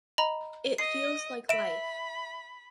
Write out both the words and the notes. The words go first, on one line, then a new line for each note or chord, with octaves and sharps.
It feels like life.
D#5 A#5 B5
D#5 C7
E5 B5 D7 E7